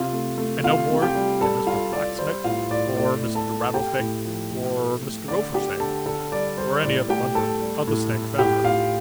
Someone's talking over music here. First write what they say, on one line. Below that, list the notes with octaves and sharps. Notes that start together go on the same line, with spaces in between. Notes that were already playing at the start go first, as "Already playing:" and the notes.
"And no more can Mr. Blacksnake, or Mr. Rattlesnake, or Mr. Gophersnake, or any other member of the Snake family."
Already playing: C3 F4 F5
A3
A3
C3 F4 F5
C3
G4 G5
G3
G3 A4 A5
G3 F4 F5
G3 D5
G3 C5
A2 F4 F5
A2 D5
A3 D5
A2
A4 A5
A3
A3 G4 G5
A2
F3
A2
A3
A3
D3 D5
D3 G4 G5
D3 A4 A5
D3 A4 A5
G3 D5
G3 C5
A2 D5
A3 G4 G5
A3 A4 A5
G3
A2
A2
A2 G4 G5
A2 F4 F5